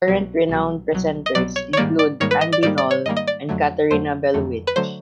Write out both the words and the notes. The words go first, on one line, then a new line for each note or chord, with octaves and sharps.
Current renowned presenters include Andi Knoll and Katharina Bellowitsch.
C2 B2 F#3
C2 B2 F#3
C2 B2 F#3
D#5
C2 B2 F#3 D5
C#5
C#5
G#2 D#3 G3 A#3 D5
D5
G#2 D#3 G3 A#3 C#5
B4
D#5
D5
G#2 D#3 G3 A#3 D5
D5
C#5
G#2 D#3 G3 A#3 D#5
D#5
D5
F2 D3 F#3 A3
F2 D3 F#3 A3 C5
F2 D3 F#3 A3
B4
D3 F#3 A3 C5